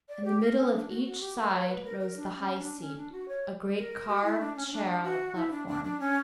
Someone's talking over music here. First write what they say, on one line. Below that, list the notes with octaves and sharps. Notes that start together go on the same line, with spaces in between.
In the middle of each side rose the high seat, a great carved chair on a platform.
D5
G4
A#4
C#4
D4
F#4
F#4
G4
A#4
C#5
B4
A#4
A#4
D4
C#4
D4
C#4
D4
F#4
C#5
A#4
G4
E4
D4
C#4
C#4
D4
F#4
E4
D4
D4
D4
C#4